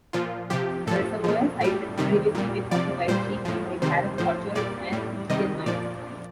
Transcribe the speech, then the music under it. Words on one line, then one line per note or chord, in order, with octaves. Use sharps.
The reservoir site had previously been occupied chiefly by carob orchards and tin mines.
A#2 F3 F4
C3 F3 G4
A2 F3 A4
A#2 F3
A2 G3
C3 D#3 G3
A#2 G3
C3 F3 D5
A#2 G3 C5
A2 F3
C3 D#3 G3 C5
A2 F3 C5
A#2 G3 D5
A2 G3
C3 D#3 G3 D#5
A#2 F3 D5